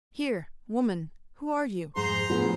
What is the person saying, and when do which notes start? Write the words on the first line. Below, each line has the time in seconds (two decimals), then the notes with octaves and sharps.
Here! woman, who are you?
1.96 F2 G#2 G#4 C5 A#5 C6
2.30 A2 D3 F3 B3 G#4